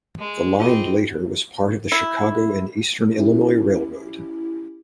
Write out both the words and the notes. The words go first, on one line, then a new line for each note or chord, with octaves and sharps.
The line later was later part of the Chicago and Eastern Illinois Railroad.
G#3
C4 F4 G#4 D#5
E4
C#4 E4 G4